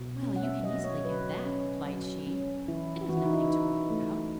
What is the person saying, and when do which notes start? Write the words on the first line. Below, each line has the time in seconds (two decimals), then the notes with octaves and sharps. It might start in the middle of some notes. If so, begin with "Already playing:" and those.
'Well, you can easily get that,' replied she; 'it is nothing to worry about.
Already playing: B2
0.23 C#4
0.36 F#5
0.43 E5
0.64 F#3 D#5
0.84 C#5
1.05 F#3 B4
1.46 C#4
1.86 F#3
2.27 C#4
2.68 E3 E4
3.09 E3 F#4
3.17 E4
3.25 D#4
3.34 E4
3.50 D#4
3.90 A3